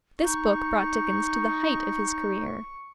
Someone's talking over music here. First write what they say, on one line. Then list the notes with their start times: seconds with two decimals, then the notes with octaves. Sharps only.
This book brought Dickens to the height of his career.
0.21 D#4 C#6